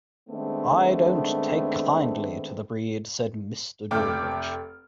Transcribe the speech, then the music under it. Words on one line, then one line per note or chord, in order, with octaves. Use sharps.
"I don't take kindly to the breed," said Mr. George.
D#3 G#3 A3 B3 C4 D4
F1 A3 G5 D6 F6